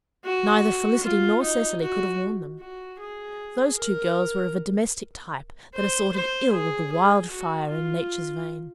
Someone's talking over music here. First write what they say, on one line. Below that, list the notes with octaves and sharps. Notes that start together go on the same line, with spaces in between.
Neither Felicity nor Cecily could have worn them. Those two girls were of a domestic type that assorted ill with the wildfire in Nature's veins.
F#4
F4
D#4
F#4
F#4
G#4
A#4
C5
C5
G#4
G#4
F#4
F4